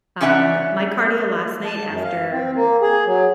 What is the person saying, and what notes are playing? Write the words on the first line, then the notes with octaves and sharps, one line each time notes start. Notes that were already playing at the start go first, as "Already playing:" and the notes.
Um, my cardio last night after
C#3 C#4 D4 E5 F#5 A#5
A5
F#2
F5
C4
A#3
G#4
F#3